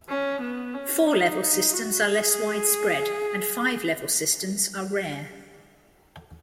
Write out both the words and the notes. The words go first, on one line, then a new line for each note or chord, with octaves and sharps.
Four level systems are less widespread, and five level systems are rare.
C#4
B3
C#4
D#4
F#4
G#4